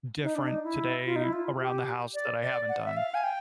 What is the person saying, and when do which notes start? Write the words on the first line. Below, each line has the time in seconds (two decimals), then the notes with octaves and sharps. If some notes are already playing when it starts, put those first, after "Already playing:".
"different today around the house that I haven't done."
0.23 D#4
0.35 D4
0.47 D#4
0.64 E4
1.06 F4
1.16 D#4
1.24 E4
1.33 F4
1.60 G4
2.14 D5
2.42 D5
2.69 F#5
2.85 E5
2.97 F5
3.14 G#5
3.24 G5